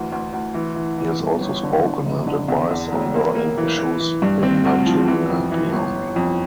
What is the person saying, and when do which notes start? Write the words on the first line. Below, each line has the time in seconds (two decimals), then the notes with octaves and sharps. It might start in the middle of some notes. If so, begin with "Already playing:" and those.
He has also spoken and advised on burning issues in Nigeria and beyond.
Already playing: D2 E3
0.12 D2
0.33 D2
0.54 E3
0.76 E3
0.98 E3
1.19 G1
1.41 G1
1.63 D3
1.85 D3
2.05 F1
2.27 D3
2.48 E2
2.70 E2
2.92 E1
3.14 A#3
3.35 A#3
3.58 E3
3.78 E3
4.00 E3
4.22 G2
4.43 C4
4.65 D2
4.86 F3
5.07 E3
5.29 F2
5.51 E3
5.72 G1
5.95 G1
6.16 F2